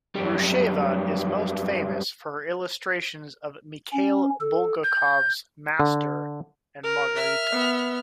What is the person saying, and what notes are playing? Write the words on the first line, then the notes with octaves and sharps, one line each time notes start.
Rusheva is most famous for her illustrations of Mikhail Bulgakov's Master and Margarita.
F#2 G3
C#4
A4
G6
D3
A#4
E5 F6
B3